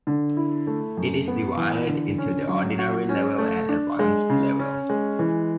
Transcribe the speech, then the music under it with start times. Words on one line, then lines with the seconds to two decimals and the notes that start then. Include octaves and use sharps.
It is divided into the Ordinary level and Advanced level.
0.07 D3
0.37 E4
0.67 A3
0.97 F#2
1.28 B3
1.57 E3
1.87 D3
2.18 C#4
2.48 F#3
2.79 F#4
3.09 C#4
3.38 A3
3.69 D4
3.99 G#3
4.29 C#3
4.59 C#4
4.89 G#3
5.19 E3